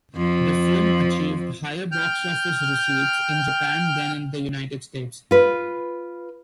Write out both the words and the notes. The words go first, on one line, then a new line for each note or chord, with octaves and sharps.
The film achieved higher box office receipts in Japan than in the United States.
F2 F3
G5 F6 G6
F4 B4